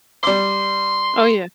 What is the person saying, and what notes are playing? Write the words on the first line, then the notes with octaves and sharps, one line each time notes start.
Oh, yeah.
G3 C6 D6